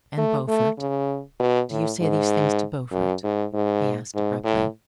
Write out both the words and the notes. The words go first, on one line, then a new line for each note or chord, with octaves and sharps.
"And Beaufort--do you say these things to Beaufort?" he asked abruptly.
A3
A3
C#3
B2
A2
G#2
F#2
G#2
G#2
G#2
A2